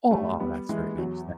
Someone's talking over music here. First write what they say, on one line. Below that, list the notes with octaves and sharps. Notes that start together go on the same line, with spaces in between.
Aww, that's very nice, thank
G3 A3
G3 B3
E3 G#3
E2 F#3